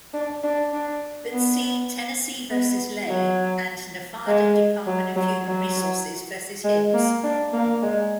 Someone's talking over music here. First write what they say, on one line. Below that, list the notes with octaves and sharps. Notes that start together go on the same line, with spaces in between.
But see "Tennessee versus Lane" and "Nevada Department of Human Resources versus Hibbs".
D4
D4
D4
B3
B3
F#3
G#3
F#3
F#3
F#3
G#3
A#3
D4
A#3
G#3